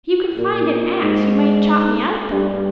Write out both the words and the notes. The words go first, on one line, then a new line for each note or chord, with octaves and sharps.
If you can find an axe you might chop me out, though.
A#2
G#2
G2